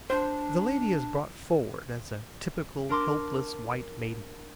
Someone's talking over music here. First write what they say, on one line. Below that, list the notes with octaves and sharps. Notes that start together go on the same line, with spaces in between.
The lady is brought forward as a typical helpless white maiden.
D4 C5
D4 A#4 C6 D6